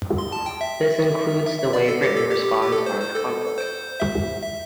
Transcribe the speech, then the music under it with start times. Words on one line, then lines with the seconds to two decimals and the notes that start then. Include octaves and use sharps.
This includes the way Britain responds armed conflict.
0.18 C6
0.32 A5
0.46 G5
0.61 E5
1.46 E5
1.59 E5
1.73 D5
1.88 A4
2.02 G4
2.16 A4
2.30 G4
2.62 G4
2.72 A4
2.86 C5
3.01 C5
3.15 A4
3.58 C5
4.00 E5
4.42 E5